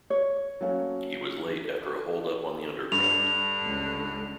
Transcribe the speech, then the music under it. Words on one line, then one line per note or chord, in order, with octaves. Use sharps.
He was late after a holdup on the Underground.
C#5
F#3 A3 A#3 C#4 F5
A4
G2 D3 F7
C#2